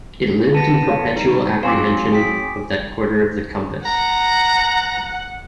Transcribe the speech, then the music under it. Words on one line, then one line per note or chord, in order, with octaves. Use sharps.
It lived in perpetual apprehension of that quarter of the compass.
B3 A5 A#6
A4 C#5 F5
G3 D#4
F#3 C4 C5 F5 G#5 C#6 D6
G#4 G5 B6
F#5 A#5